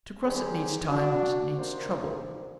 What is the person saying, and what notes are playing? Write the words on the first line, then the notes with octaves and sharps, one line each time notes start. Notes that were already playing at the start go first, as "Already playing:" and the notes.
To cross it needs time and needs trouble.
D#3 G3 C#4 G4 G#4 C5
D4 F#4
C3 D#3 A#3 D4 C5